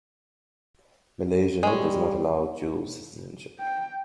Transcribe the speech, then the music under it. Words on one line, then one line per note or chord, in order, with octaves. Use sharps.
Malaysia does not allow dual citizenship.
G3 G#3 C#4
G5